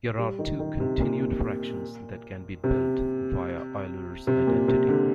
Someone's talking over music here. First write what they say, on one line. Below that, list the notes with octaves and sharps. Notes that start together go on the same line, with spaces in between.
Here are two continued fractions that can be built via Euler's identity.
G3
D#3
D#3
C3
A#2
C3
C3
A#2
C3
D3